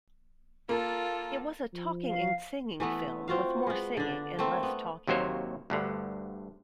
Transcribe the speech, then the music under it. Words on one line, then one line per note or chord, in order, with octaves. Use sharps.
It was a talking and singing film with more singing and less talking.
A#3 F4 A4
F3
F5
E3 A3 B3
C4 F4 F#4 F5
G#3 B3
D3 D4
A3 A#3 C4
B3
D#2 C3 F#3 A#3 C5 C#5
D2 G2 D3